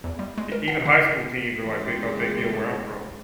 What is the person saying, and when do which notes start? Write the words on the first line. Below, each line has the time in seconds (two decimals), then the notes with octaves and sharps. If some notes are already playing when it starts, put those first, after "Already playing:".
e even high school teams are, like, big a big deal where I'm from.
0.04 E2
0.19 G3
0.38 G#3
0.52 A#4
0.68 F#5
0.85 D3
1.59 C#3 E3 G#3 G4